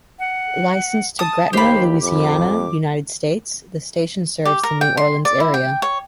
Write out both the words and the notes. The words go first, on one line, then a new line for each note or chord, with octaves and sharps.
Licensed to Gretna, Louisiana, United States, the station serves the New Orleans area.
F#5
A5 D#6
D#2 G4 C5 B5
F2 D6
G4
A#4
G5
C6
D5
E4
G5
C#5